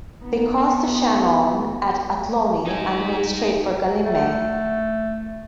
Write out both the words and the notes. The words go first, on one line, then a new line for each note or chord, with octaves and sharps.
They crossed the Shannon at Athlone and made straight for Gallimhe.
B3 D#4
D#4 G#5
A3